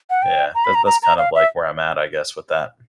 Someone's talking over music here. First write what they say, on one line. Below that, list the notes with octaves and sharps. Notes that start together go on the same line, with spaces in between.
yeah that that's kind of, like, where I'm at I guess with that.
F#5
G5
A#5
B5
A#5
A#5
A#5
F5
E5